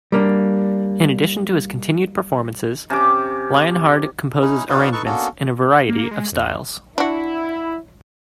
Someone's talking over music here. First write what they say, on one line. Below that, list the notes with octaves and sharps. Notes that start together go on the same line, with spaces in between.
In addition to his continued performances, Lienhard composes arrangements in a variety of styles.
G3 A#3 D4
C3 C#4 G4 D6
C#4 D#4 E4
D#4 F#4 B4 C5 D5 F5
D#4 A4 B4 A5 C#6 F#6
A#3 B3 C#4 D4 F#4 A4
A#3
G#3
E2
D4 E4 F#4